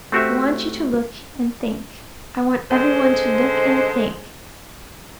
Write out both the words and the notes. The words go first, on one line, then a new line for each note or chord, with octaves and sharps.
I want you to look and think. I want every one to look and think.
A3 C4 F#4 G4 C5 E5
D3 G#3 C5